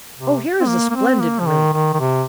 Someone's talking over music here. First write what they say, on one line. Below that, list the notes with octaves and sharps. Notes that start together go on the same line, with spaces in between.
Oh, here is a splendid group!
C3
C4
A#3
A#3
C4
A#3
F3
D#3
D#3
D#3
C3